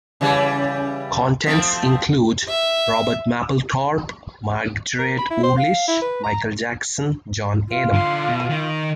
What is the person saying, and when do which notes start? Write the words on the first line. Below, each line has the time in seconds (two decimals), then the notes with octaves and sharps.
Contents include: Robert Mapplethorpe, Margret Urlich, Michael Jackson, John Adam.
0.21 C#3 E3 G3
1.46 F3 A3 C4
2.48 E5
4.99 A#4
5.18 B5
5.31 E4
5.43 C5
5.57 F5
5.88 E4
6.02 B4
6.23 A#5
7.69 F4
7.93 D3 C6
8.28 B2
8.50 D#3